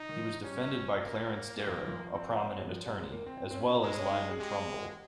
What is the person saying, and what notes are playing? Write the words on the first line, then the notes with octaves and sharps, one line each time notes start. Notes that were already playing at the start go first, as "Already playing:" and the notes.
He was defended by Clarence Darrow, a prominent attorney, as well as Lyman Trumbull.
Already playing: D#4
D#3
F3
G3 C#4
A#3
G3 A#3
F3
D#3
F3
C4
G3
F3
G3
G#3
A#3
C4
C4
C#4
G#3 D#4
C#4
D#4
G#4
G#3 G4